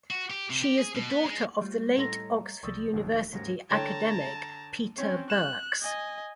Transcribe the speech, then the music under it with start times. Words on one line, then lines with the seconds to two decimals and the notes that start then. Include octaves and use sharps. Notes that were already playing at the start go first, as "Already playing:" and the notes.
She is the daughter of the late Oxford University academic Peter Birks.
0.11 F#4
0.30 G4
0.50 C3
0.64 G4
0.79 G#4
0.95 B2
1.10 B3
1.25 G#3
1.61 G3 A3 F4 C5
1.96 A2 A4 C#5 D#5 A#5 C6
2.63 C2 C3 F3 D5 C#6 D#6 E6
2.93 F1 A#1 D#2
3.33 D#2 G#2 D#3 C#4 F#4 G4
3.70 D3 C#5 G5 A5 A#5
4.98 C4 C#4 C#5
5.30 F#6 E7
5.81 D#5 G#5